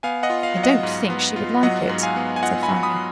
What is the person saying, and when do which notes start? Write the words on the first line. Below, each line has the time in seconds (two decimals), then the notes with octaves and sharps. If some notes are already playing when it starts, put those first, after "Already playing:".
"I don't think she would like it," said Fanny.
0.03 B3 F5 G#5
0.23 D#5 F#5
0.30 F4
0.43 F5
0.57 F#3
0.63 D#5 F#5
0.83 G#2
1.10 B3
1.36 F4
1.63 F#3 D#5 F#5
1.89 G#2
2.03 F5 G#5
2.16 B3
2.36 G#5
2.42 F4 D#5 F#5
2.63 G#5 B5
2.69 F#3
2.83 B5 D#6